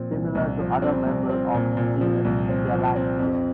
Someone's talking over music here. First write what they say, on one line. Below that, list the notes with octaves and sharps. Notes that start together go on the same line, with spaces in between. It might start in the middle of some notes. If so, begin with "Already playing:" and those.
Similar to other member of genus "Galaxias".
Already playing: A#2 F3 C4
C2
C2
F3
C4
C2
C4
A#2
A#2
F3
C2
C4
F3
C4
F2